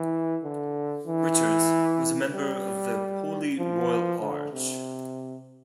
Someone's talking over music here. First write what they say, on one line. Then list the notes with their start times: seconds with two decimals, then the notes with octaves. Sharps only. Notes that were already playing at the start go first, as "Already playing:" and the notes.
Richards was a member of the Holy Royal Arch.
Already playing: E3
0.43 D3
1.06 E3
2.32 G3
3.58 F3
4.21 D3
4.52 C3